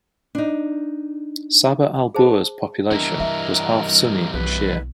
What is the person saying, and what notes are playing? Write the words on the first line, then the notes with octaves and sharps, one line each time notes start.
Saba Al Boor's population was half Sunni and Shia.
D4 D#4
G#4 C5 A5
G2 E3 B3 D4 A#4 D#5 A#5
D4 E5
B1 B4